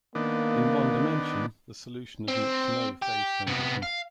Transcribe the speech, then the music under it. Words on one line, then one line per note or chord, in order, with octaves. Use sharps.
In one dimension, the solution admits no phase transition.
D#3 A#3 B3 D4
C4
G4
C3 B3
F5